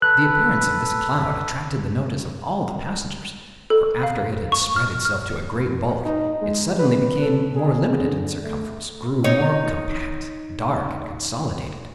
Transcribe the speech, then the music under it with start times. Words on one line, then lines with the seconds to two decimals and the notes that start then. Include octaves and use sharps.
The appearance of this cloud attracted the notice of all the passengers; for after it had spread itself to a great bulk, it suddenly became more limited in circumference, grew more compact, dark, and consolidated.
0.02 A4 B4 F#6
3.70 A4
4.03 F5
4.52 C#6
4.76 F6
5.05 F6
6.05 D#4
6.41 G#3
6.79 B4
7.22 A4
7.55 G#4
7.98 D3
8.44 A3
9.24 D#4 C#5